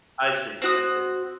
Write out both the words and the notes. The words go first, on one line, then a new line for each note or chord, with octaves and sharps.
I see, I see.
C4 F#4 D#6